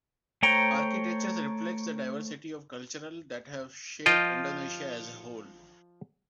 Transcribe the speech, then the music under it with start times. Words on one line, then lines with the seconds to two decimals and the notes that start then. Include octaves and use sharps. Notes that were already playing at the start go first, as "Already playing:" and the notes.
Architecture reflects the diversity of cultural that have shaped Indonesia as a whole.
0.43 A3 C5 C#5 G5 A#5
4.06 F3 F4 D#5 G5